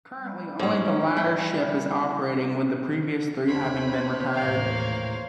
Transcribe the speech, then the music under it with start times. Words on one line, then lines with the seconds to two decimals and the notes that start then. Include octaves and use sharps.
Currently only the latter ship is operating, with the previous three having been retired.
0.20 G3
0.59 G#2 C#4
1.16 E4 G5
3.47 D#2 A#3 C5 C#5 B5
4.34 D#2 A2 E3 A#3 F5